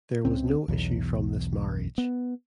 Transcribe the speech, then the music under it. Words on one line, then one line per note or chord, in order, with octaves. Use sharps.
There was no issue from this marriage.
C#2 C#3 C4
B1 E2
B3